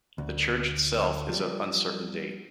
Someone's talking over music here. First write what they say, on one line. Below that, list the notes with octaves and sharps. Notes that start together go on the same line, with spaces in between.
The church itself is of uncertain date.
D2
F3 G3